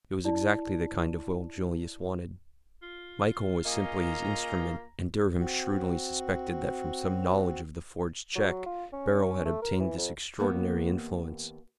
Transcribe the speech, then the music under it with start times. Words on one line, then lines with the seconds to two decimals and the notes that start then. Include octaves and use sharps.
It was exactly the kind of will Julius wanted. Michael was simply his instrument, and Durham shrewdly suspected that from some knowledge of the forged check Beryl had obtained this extraordinary influence.
0.25 E4 D5 A5
2.82 F4
3.66 A#3 C#4 G#4 D#5 A#5
5.38 C4 F#4
8.35 F#3
8.66 F4
8.93 C#4
9.45 A3
9.62 A#4
9.80 E3
9.97 F2
10.38 D#2 A#3 B3